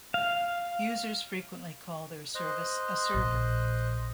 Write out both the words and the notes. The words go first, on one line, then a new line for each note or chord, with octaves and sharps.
Users frequently call their service a server.
F5
C5 D#5 F#6
A#1